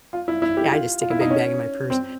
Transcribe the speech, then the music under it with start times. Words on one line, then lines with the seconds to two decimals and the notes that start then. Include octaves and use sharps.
Yeah, I just stick a big bag in my purse,
0.13 F4
0.28 E4
0.42 E4
0.57 G4
0.71 F4
1.02 F4
1.10 E4
1.21 D#4
1.30 C#4
1.90 C4